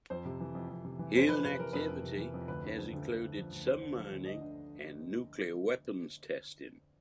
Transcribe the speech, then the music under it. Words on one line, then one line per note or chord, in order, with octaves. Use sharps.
Human activity has included some mining and nuclear weapons testing.
F2 C5
C3
E3
F2
F2
C3
E3
F2 C5
F2 B4
C3 B4
E3 A#4
F2 B4
F2
C3
E3
F2
D2 B4
D3
F3
D2
D2
D3
F3
D2
D2 C5
D3
F3
D2
D2 D#5
D3